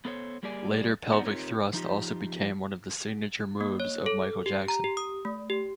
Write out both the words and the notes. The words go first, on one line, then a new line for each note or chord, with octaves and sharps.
Later pelvic thrust also became one of the signature moves of Michael Jackson.
B3 A4 C5 C#5
G3 A#3 G4 G#4 D5 G#5
B3 D4 D#4 G4 D5 F#5
C4 D#4 F4 G4 A#4 C#5
F3 D#4 F4 G4
A#3
C#5
A4
G4
A#5
G4
D#6
A3
G4